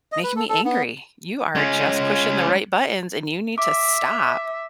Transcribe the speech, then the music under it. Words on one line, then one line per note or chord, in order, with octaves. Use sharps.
making me angry, you are just pushing the right buttons and you need to stop."
D#5
B4
A4
A4
B3
G#3 C#4
E5 D6